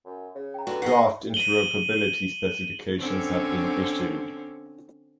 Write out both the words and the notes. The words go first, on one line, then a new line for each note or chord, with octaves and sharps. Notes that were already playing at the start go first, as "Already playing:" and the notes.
Draft interoperability specifications have been issued.
F#2
C#3
G5 A#5
D3 B3 F#4
G2 D#5 F#5 C7
D#7 F#7 G7
D3 C4 C#4